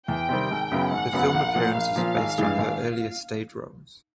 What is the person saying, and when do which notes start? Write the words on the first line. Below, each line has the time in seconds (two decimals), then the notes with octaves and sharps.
Her film appearances are based on her earlier stage roles.
0.08 E2 G5
0.29 C3 D#3 G3 C4
0.51 G#1
0.72 F#2 C#3 F#3 B3
0.91 G#1 F#5
1.13 F#2 C#3 F#3 B3
1.34 A#1
1.55 A#2 F3
1.75 A#1 F5
1.96 A#2 F3
2.16 G#1
2.38 G2 E3 G#3
2.58 G#1